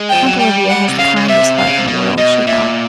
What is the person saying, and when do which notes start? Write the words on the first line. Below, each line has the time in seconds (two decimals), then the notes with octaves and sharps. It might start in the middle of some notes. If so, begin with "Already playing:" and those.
Aunt Olivia has the kindest heart in the world, she thought.
Already playing: G#3
0.09 F3 G5
0.26 F#3
0.39 G3 G5
0.69 F#5
0.88 C3
0.99 C#3 F5
1.16 C#3
1.28 C3 E5
1.57 F5
1.67 C#3
1.77 C3
1.88 B2
2.17 B2 D#5
2.47 A#2 E5